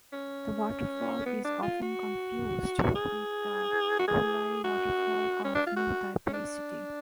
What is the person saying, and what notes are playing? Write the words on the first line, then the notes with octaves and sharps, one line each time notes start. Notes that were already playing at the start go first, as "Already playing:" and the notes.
The waterfall is often confused with the Wulai Waterfall of New Taipei City.
C#4
B3
D4
F4
F#4
G#4
F#4
G#4
F#4
C#4
D4
F4
F#4
C#4
D4